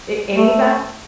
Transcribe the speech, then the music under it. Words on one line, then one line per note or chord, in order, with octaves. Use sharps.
A any of that?
A3